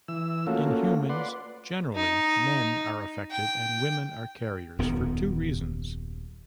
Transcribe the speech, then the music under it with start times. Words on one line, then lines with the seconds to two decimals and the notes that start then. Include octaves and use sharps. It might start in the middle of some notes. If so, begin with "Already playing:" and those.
In humans, "generally" "men are affected and women are carriers" for two reasons.
0.08 E3 E6
0.47 A3 A#3 C#4 F4 F#4
1.09 B4 D5 F#5 C6
1.96 D#4
3.31 G5
4.79 D#1 F#2 D#3 B3